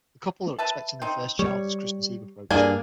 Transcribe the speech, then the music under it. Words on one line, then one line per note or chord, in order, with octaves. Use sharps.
The couple are expecting their first child as Christmas Eve approached.
B4 E5 A5
C4 D#4
G3 C#5
G2 A#3 D4 G#4 G#5